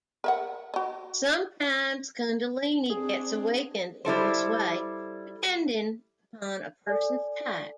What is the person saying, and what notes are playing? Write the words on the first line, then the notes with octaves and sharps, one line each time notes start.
Sometimes kundalini gets awakened in this way, depending upon a person's type.
A#4 E5 F#5
F#4 D#5
C4 D4 G#4
G3 E4 A4 C5
A4 D5 G#5